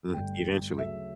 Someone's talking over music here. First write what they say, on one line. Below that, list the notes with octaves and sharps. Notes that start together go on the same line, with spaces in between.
Mhm. Eventually.
G1 G2 D3 A3 G5
D2 C#3 F#3 A3 E5